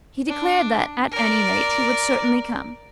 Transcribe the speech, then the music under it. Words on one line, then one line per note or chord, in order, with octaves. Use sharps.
He declared that, at any rate, he would certainly come.
D4
A#4 D5